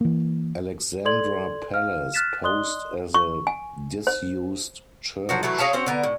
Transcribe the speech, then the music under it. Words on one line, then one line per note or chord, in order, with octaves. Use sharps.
Alexandra Palace posed as a disused church.
E3 A#3
A4 D5 C6 G#6 F#7
F5 F6
F6 F#6 A6 B6 E7
D5 D#5 C6 D#6 F#6 G7
C#6
G#5
C5
F3 F#3 F#4
E3 F#3 A3
G#4 C#5 F5 A5
C4 C#4 F#4 C5
D3 B3 A#4
A2